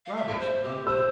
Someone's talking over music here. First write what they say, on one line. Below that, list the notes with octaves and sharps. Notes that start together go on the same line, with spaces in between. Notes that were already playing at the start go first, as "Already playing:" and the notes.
Robbers! robbers!'
F5
E5
C5
G4
C5 E6